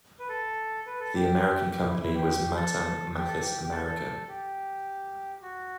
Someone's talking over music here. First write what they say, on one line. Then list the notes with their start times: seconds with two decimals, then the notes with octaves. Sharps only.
The American company was Matam, Mathis-America.
0.19 B4
0.29 A4
0.86 B4
1.00 A4
1.15 G4
1.72 G4
1.86 E4
1.99 E4
2.14 G4
2.57 A4
3.15 G4
3.28 A4
3.42 G4
3.62 G4
3.71 A4
3.85 A4
4.28 G4
5.42 F#4